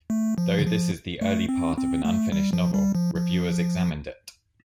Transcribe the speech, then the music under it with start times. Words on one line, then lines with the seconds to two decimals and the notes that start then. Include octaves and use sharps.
Though this is the early part of an unfinished novel, reviewers examined it.
0.10 A3
0.38 F3
0.59 D3
0.66 F3
1.21 A3
1.49 C4
1.77 C4
2.05 A3
2.32 G3
2.53 F3
2.74 G3
2.95 F3
3.15 F3